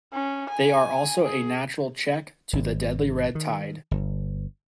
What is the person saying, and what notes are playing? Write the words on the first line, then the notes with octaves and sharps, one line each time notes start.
They are also a natural check to the deadly red tide.
C#4
G#5
G#4
G#1
D#3
G1